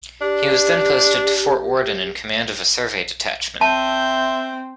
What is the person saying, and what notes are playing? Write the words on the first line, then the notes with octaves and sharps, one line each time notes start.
He was then posted to Fort Worden in command of a survey detachment.
D4 G4
C4 E5 A5 G6